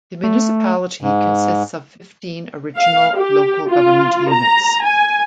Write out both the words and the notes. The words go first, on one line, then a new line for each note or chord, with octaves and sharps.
The municipality consists of fifteen original local government units.
A3
G#2
F5
G4
F4
A#5
G#5